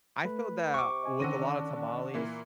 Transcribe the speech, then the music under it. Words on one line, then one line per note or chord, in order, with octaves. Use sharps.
I feel that, with a lot of tamales,
A3 B4
C3 C#6 D6
D#5 G#5
D3 D#3 C4 C#4 A#6 D#7
D4
A#2 E3 A#3